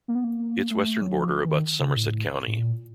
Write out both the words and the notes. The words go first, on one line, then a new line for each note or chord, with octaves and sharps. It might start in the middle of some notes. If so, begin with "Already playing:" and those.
Its western border abuts Somerset County.
A#3
B3
A#3
A3
F#3
F3
E3
D#3
C#3
A2
A2
A#2